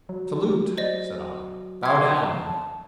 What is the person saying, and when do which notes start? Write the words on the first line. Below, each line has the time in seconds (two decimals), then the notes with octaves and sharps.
"Salute!" said I. "Bow down!"
0.09 F#3
0.78 C5 D5 D#5
1.83 E5 C6 G#6
2.14 A5